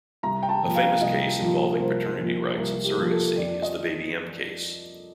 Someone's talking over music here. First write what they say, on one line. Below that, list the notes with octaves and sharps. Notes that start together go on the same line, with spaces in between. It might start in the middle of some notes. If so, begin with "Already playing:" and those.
A famous case involving paternity rights and surrogacy is the Baby M case.
C2 A#5
G5
A5
A#2 F3
F5
C2 D#5
A#2 F3
A#4
C2 C5
A#2 F3
C2 A#4
G4
A#2 F3
A4
F2 D5
D#5